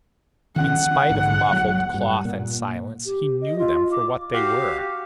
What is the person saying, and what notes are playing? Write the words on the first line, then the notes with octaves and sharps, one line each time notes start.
In spite of muffled cloth and silence, he knew them for what they were.
D#3 C#4 F#5
A#1 G#2 D3
F#1 F#3
G2
A#2
G4
D#5
F4
D6
F#4 G4 F5